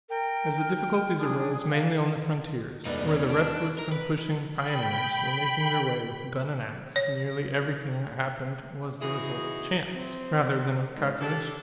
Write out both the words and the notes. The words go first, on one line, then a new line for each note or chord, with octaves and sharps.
As the difficulties arose mainly on the frontiers, where the restless and pushing pioneers were making their way with gun and ax, nearly everything that happened was the result of chance rather than of calculation.
A#4 G5
F6
D4 G#4 D#6
F5
E1 A3 B3 D#4 D5
D#3 C#4
D4
F#6
A#4
B4
G5 B5
C#5
C#3 E3 D#4 E4 F#4 G#4
C4
G#2
D4 G4 A4